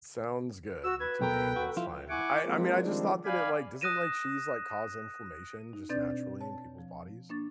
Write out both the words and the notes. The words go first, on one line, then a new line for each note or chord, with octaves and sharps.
Sounds good to me, that's fine. I I mean, I just thought that it like doesn't like cheese like cause inflammation just naturally in people's bodies?
F#4 E6
B4 G#6
B1 B2 A4 A#4 G5
F#4
F3 E4 F4
E4 F#5 G#5 C#6 D6
F3 G#3 A#3 C4
D#3 F3 G3 G#3 C4 D4
D5 F5 G#5 B5
D#6 F#6 A#6 D#7 E7
D#4
B2 C4 D4 D5 G6 A6
C#5 A5
F3
A#3 D4 C#6 A6